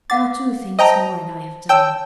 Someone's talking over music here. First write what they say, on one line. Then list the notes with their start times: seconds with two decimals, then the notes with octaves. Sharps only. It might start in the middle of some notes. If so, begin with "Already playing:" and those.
Now two things more, and I have done.
0.10 F5 F#5 D6 A6
0.79 C5 D#5 E5 G5 A5 A#5
1.69 C#5 G5 A5 E6